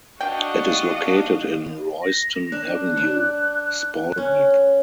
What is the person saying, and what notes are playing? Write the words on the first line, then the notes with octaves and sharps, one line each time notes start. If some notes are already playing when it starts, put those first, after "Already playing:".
It is located in Royston Avenue, Spaldwick.
D4 F#4 D#5 F5 G5
A#6
D4 F#6
D4
C#4